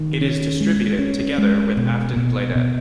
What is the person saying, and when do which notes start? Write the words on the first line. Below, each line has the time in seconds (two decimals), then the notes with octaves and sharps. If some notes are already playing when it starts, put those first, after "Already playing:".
It is distributed together with "Aftonbladet".
Already playing: D#3
0.21 C#4
0.61 G#3
0.99 C#4
1.38 G#3
1.77 B2
2.16 B2
2.55 B2